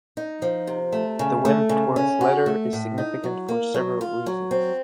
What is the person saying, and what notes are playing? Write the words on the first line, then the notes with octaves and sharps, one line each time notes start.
The Wentworth Letter is significant for several reasons.
D#4
F3
C3
A3
C#3
A3
C#3
C#4
F#4
A3
A2
D#4
F#3
A#3
F#3
F4
F#3
C4